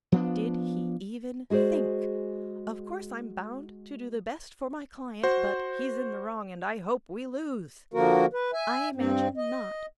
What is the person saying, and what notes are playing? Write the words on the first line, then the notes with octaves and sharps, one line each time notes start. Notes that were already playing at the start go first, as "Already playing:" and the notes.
Did he even think, "Of course I'm bound to do the best for my client, but he's in the wrong, and I hope we lose?" I imagine not.
F3 B3 D4
G#3 F#4 G#4 C5 D5
F#4 C5
D3 F3 A#3 F#4 A#4
B4
E5 G#5
G2 C4
D#5